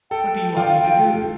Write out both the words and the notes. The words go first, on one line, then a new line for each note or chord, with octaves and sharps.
"What do you want me to do?"
A4 G5
F4 G5
F5
G5